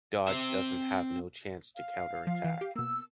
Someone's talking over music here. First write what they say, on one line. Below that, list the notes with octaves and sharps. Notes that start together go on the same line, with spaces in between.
Dodge doesn't have no chance to counterattack.
C4 E5
F5
F3
E3
G4
B2 A#3 E6